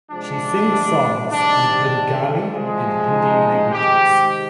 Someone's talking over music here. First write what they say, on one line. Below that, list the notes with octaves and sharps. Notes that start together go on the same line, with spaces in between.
She sings songs in Bengali and Hindi languages.
C3 F3 G#3 D4
C3 D#3 G3 D4
C3 F3 G#3
D#4
C3 D#3 G#3 G4